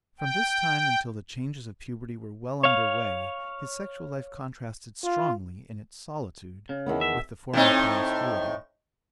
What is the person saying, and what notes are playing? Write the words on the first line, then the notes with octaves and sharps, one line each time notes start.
From this time until the changes of puberty were well under way his sexual life contrasted strongly, in its solitude, with the former promiscuity.
G5
C#5 F5
F4
C#3
E2 D#3 B3
E5
A2 C4 D#4